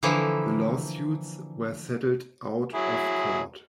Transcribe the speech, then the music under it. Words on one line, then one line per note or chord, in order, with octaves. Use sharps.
The lawsuits were settled out of court.
D3 E3 F3 A#3 E4
F#3 E4 G#4